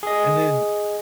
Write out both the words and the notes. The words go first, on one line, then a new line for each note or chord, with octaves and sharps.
And then
G#4 D#5